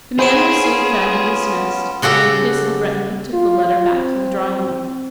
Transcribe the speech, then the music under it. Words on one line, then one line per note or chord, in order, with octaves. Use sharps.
The man was soon feed and dismissed, and Miss Le Breton took the letter back to the drawing-room.
B3 C#4 F4 G#4 C5 B5 D7 E7
C#3 F#4 G4 A4
F4
C4